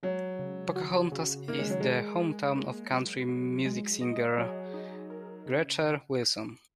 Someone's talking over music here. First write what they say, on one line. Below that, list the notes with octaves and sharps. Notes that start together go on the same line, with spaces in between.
Pocahontas is the hometown of country music singer Gretchen Wilson.
F#3 G#3
C#3
F#4
C#3
D#3 A#3
G#3
F#3
G#3 A#4
G#4
A#3
F#3
F#3
G#3
D#5
F#3 G#4
D#4
A#4
C#3